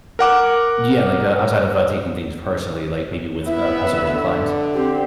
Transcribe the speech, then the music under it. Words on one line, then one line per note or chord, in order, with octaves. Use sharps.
Yeah, like, uh, outside of, uh, taking things personally, like, maybe with, uh, customers or clients?
A#4 F#5 D6
B3 E4 E5
D3
C4 G4